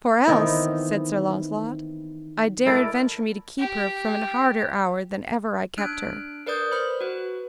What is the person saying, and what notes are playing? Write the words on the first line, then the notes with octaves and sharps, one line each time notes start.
For else, said Sir Launcelot, I dare adventure me to keep her from an harder shour than ever I kept her.
D#3 E3 B3 C4
E4 A4 A#4 D5
G4
D4 F6 F#6 D7
A#4 B4 D5 D#6 G6
C5 B5 F6
F#4 B4